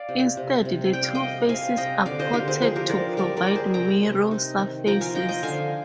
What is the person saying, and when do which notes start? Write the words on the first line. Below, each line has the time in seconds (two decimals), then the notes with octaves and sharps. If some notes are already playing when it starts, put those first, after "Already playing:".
Instead, the two faces are coated to provide mirror surfaces.
Already playing: D5 F5
0.09 C3
0.37 C3
0.65 C3
0.93 G3 G5
1.03 F5
1.15 D#5 G5
1.21 G3
1.49 C3 F5 G#5
1.77 C3 D#5 G5
2.05 D3 D5 F5
2.19 C5 D#5
2.33 D3 G4 A#4
2.48 G#4 C5
2.61 F3 G#4 C5
2.76 G4 A#4
2.90 F3 A#4 D5
3.17 G3 A#4 D5
3.37 A#4 D5
3.46 G3
3.55 G#4 C5
3.74 C3 G5 A#5
4.03 C3
4.31 D#4
4.58 D#3
4.87 F3 G5 A#5
5.01 F5 G#5
5.15 F3 D#5 G5
5.29 D#5 G5
5.42 D3 F5 G#5